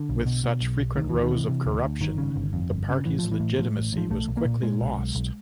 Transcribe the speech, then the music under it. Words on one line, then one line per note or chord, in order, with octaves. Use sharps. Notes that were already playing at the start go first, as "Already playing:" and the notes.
With such frequent rows of corruption, the party's legitimacy was quickly lost.
Already playing: D3
B1
B2
B2
B1
B1
D2 D#3
D2 E3
D#3
C3 E3
C3
D2
D2
G1 D#3
C#3
G1
F2
G1
C#3
A1 E3
A1 F3
E3
A2
A2 F3
A1
A1 F3
B1 A3
B1
A#3
A#2
A#2 G#3
B1
B1
B1